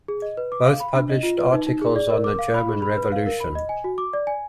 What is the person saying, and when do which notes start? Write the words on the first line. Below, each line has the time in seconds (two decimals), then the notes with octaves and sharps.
Both published articles on the German Revolution.
0.08 G#4
0.22 D#5
0.37 B4
0.52 D6
0.65 F5
0.80 B5
0.95 D4
1.09 D#5
1.23 F4
1.38 B4
1.53 D#4
1.67 D#4
1.81 G#4
1.96 D5
2.10 A#4
2.24 D6
2.39 F5
2.54 B5
2.69 G#4
2.82 B5
2.97 B4
3.12 F5
3.26 A#4
3.40 B5
3.55 D#5
3.69 G#5
3.84 F#4
3.98 D6
4.13 D5
4.27 G#5